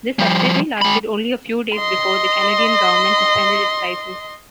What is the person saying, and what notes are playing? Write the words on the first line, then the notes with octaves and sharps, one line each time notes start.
This subsidiary lasted only a few days before the Canadian government suspended its licence.
F3 G3
G#3 B5
D#5 C6